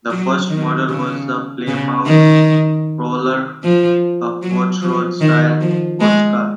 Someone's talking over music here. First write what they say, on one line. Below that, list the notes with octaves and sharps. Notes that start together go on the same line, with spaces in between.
The first model was the Plymouth Prowler, a hot rod-styled sports car.
F#3
D#3
C#3
C#3
D#3
F3
F#3
F3
D#3
F3
G#3